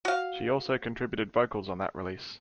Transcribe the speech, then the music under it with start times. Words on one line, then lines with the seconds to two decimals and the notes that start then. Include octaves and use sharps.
She also contributed vocals on that release.
0.05 F#4 F5